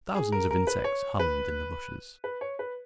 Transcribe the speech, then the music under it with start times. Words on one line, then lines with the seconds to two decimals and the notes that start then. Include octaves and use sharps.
Thousands of insects hummed in the bushes.
0.15 G#4
0.32 A#4
0.51 A#4
0.67 B4
0.84 C#5
1.19 B4
2.24 B4
2.41 C#5
2.59 B4